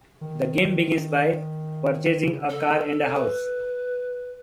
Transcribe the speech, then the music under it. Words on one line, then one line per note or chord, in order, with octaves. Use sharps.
The game begins by purchasing a car and a house.
D#3
C#3
A4
B4